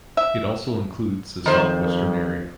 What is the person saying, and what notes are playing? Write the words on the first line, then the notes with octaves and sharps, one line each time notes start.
It also includes the southwestern area.
E5
F2 D#3 C5